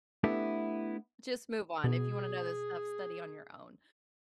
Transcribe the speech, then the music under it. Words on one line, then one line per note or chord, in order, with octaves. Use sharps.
just move on, if you wanna know this stuff, study on your own.
A3 B3 D4 E4 G4 A4
B2 G#4